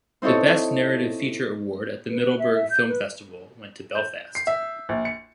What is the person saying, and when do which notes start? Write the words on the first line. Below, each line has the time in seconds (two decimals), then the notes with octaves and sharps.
The Best Narrative Feature award at the Middleburg Film Festival went to "Belfast".
0.22 C4 D#4 E4 A4 C#5
2.10 B4
2.39 E5
2.54 E5
2.70 G6
2.88 B4
3.95 G6
4.35 C7
4.47 E5
4.89 A#1
5.05 C#7